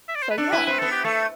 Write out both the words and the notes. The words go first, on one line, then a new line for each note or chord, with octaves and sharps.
so yeah, I'm
E5
D5
C5
B4
D4 A4
E4 B4
C4 B4
B3 A4
G4
A3 A4